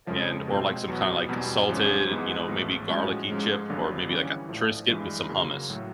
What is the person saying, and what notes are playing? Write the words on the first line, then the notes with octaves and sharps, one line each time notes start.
and, or, like, some kinda, like, salted, you know, maybe garlicky chip, or maybe, like, a Triscuit with some hummus,
F2 C#3 F3 G#3 C#4
B2 G#3 C4 F4
E2 B2 F#3 B3
E2 B2 G3 C4
G#1 G#2 F3 G#3 C#4
G#2 E3 G#3 B3
A1 G#2 F3 A3
A2 F3 G#3 C#4 F#4
G#2 F3 G#3 C#4
G#1 G2 D3 F#3 A#3
E3 G3 A#3 C#4
A#1 A2 F3
G2 E3 G#3
F#2 C#3 F#3 A#3
A2 F#3